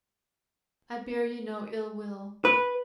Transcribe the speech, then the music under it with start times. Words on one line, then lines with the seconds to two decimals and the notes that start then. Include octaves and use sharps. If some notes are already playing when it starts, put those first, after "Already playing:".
I bear you no ill-will.
2.45 B4